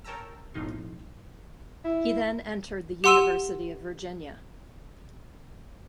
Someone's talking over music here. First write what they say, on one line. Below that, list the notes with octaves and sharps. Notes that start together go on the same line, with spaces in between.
He then entered the University of Virginia.
A#4 C#5 G5 A5 A#5 E6
B1 F2 A2 D#4 F4 C6
E4
G4 F#5 C6 E6 D#7 E7